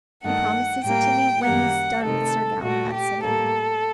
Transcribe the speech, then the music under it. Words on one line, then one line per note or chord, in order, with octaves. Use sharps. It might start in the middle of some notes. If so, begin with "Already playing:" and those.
He promises it to me when he has done with Sir Galahad,' said Amy.
G2 D#3 A3 F#5
A2 G3 A#3 G5
F#2 D#3 G3 A#3 F#5
C3 D#3 A3 A4
A#2 A3 F#4
G4
A2 G3 A#3 A4